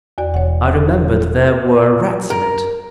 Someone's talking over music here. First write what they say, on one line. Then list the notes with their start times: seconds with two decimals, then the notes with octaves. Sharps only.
I remembered there were rats in it.
0.18 E2 F#4 D5
0.34 E1 C#5 F#5
1.21 A4
2.30 A#4